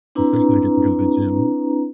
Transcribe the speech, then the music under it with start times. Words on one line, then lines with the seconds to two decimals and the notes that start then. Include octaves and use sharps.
Especially to get to go to the gym.
0.15 C4 D4 E4 B4 A#5